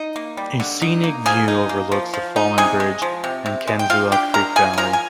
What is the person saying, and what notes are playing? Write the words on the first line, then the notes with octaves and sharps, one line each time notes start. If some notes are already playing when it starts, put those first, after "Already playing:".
A scenic view overlooks the fallen bridge and Kinzua Creek Valley.
Already playing: D#4
A#3
G3
D3
D#4
A#3
F3 G#4 G#5
D#4
A#3
F3
F3
D#4
C3 G#4 G#5
G#3
F3
C3
C3
G#3
G5
F3 F4 F5
D4 G4 G5
G#3 A#4 A#5
F3 G#4 G#5
G#5
F3 A#4 A#5
G#5